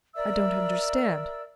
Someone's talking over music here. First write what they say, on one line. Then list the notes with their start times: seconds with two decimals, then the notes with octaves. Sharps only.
"I don't understand."
0.15 A#4 D5 E5 E6